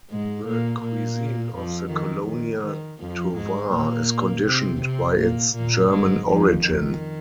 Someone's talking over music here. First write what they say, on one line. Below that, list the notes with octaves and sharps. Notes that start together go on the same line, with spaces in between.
The cuisine of the Colonia Tovar is conditioned by its German origin.
G#2 G#3
A#2 A#3
A#2 A#3
F2 F3
D#3
D#3
D#3
F2 F3
G#2 G#3
A#2 A#3
C3 C4
C3 C4
A#2 A#3
A#2 A#3
G#2 G#3
F2 F3
D#3